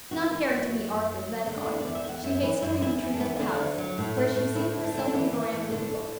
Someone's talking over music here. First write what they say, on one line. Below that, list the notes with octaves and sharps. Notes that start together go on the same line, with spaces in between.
Not caring to meet Arthur then, however, she hastily retreated to the house, where she seated herself in the veranda with a book.
E3 F#4
E3 E4
F#2 F#4
F#3
F#2
F#3
D2
D3
D4
E2 E4
D5
E2
E5
E2 F#5
F#2 E5
E3 B4
F#2 E4
E2 E4
E2
D4
E2 B3
D3 D4
D2
F#3
A2
A2
A2
D2 E4
D2
D4
D3 E4
D4
E3 B3
E3
A2
D3
D3